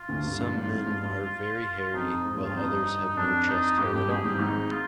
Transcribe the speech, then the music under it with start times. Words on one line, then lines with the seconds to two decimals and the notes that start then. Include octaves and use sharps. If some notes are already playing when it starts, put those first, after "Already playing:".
Some men are very hairy, while others have no chest hair at all.
Already playing: F4
0.09 D2 D3
0.24 G2
0.39 G2
0.55 G#1 G#2
0.70 G#1 G#2
0.86 G2
1.01 G2
1.94 F2 D#4
2.24 G#2
2.36 G2
2.44 F2 F4
2.56 D#4
2.61 G2
2.86 D#4
3.08 D#4
3.17 F2 D4
3.48 D#4
3.78 G2 G4
3.93 G2 G4
4.09 G2 G#4
4.24 G#1 G#2 G4
4.39 G#1 G#2 D#4
4.71 F4